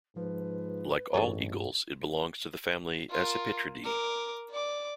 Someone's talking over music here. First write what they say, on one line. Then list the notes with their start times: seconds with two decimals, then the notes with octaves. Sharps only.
Like all eagles, it belongs to the family Accipitridae.
0.16 G#2 F3 B4
1.14 A1 G2 G#4 A4 C#5
3.10 F4 A#4
3.85 A#4 D6
4.50 D5 D6